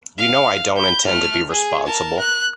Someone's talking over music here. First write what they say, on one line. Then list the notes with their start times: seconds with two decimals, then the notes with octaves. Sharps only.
You know I don't intend to be responsible.
0.18 F5
0.76 B5 G6
1.05 A3 F6
1.50 G#4
1.86 A#4 A5
2.20 F#6